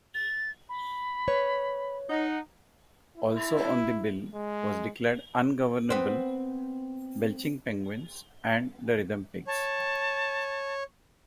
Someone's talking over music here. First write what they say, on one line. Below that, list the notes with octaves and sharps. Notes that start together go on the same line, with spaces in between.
Also on the bill was Declared Ungovernable, Belching Penguins, and The Rhythm Pigs.
A6
B5
B4 C#5
D#4 F#5
E4
G#3
B3 C4
C#5 A5